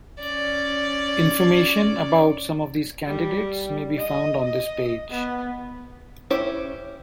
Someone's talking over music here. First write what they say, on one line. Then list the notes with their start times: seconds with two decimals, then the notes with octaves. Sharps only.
Information about some of these candidates may be found on this page.
0.19 C#4 D5
3.07 G3
3.98 D#5
4.44 D#5
5.10 B3
6.30 C#4 E4 G4 C5 C#5